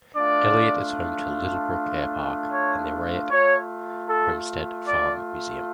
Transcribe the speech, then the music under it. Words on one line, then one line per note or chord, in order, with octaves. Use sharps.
Eliot is home to Littlebrook Airpark and the Raitt Homestead Farm Museum.
A3 D4 F4 D5
C#5
A3 F4 C#5
A4
D5